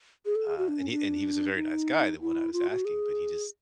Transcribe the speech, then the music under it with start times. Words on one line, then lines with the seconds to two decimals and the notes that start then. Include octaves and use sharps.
uh, and he and he was a very nice guy, the one I was asking, but he just
0.25 G#4
0.36 A4
0.47 G#4
0.58 F#4
0.68 D4
0.80 C#4
0.91 D4
1.55 D#4
2.21 E4
2.53 F4
2.70 F#4
2.85 G#4